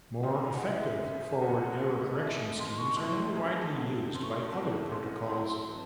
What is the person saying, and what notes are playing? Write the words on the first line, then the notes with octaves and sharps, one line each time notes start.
More effective forward error correction schemes are now widely used by other protocols.
C#2 C3 D#3 C6
A5
G#5
F#5
C#3 E3 G#3 E5
G#1 F#2 C#3
F#1 E2 C3 F#5
G#1 G#2 F#3 A3 C#4
D#2 D#3 A3 D#4 G#4 E5
D#2 D#3 G#3 C4 C6
C#6
A1 A2 E3 C4 E4 C6
A2 G#3 C#4 G#4 A5
A5
C#2 C3 F#3 A3 C4 A5
C#3 E3 A3 C#4 C6
C#6
C6
A5
A2 E3 A3 C4 F#4
G#2 E3 A3 C#4 C6
C3 F#3 C4 E4
E3 A5